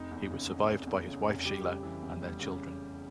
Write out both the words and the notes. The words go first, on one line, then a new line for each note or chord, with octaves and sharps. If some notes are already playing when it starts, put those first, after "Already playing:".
He was survived by his wife Sheila and their children.
Already playing: F1 D#4
E2
C#3
F1
F1
E2
C#3
F1
G3 G4
C#3
E3
E2
G3
C#3